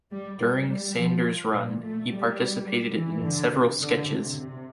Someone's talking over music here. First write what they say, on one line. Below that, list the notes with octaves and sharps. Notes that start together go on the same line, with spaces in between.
During Sanders' run, he participated in several sketches.
G3
G3
G3
F3
A#2
A3
G3
E3
D3
C3
D3
C3
C3